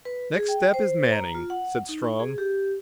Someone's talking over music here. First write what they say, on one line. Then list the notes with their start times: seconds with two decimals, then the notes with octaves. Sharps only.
"Next step is Manning," said Strong.
0.05 B4
0.35 G#4
0.48 G5
0.74 C5
1.12 A#5
1.35 F4
1.50 F#5
1.89 D#4
2.04 C#6
2.20 G#4
2.38 G4